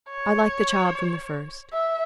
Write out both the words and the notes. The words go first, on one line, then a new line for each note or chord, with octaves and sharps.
I liked the child from the first.
C#5
E5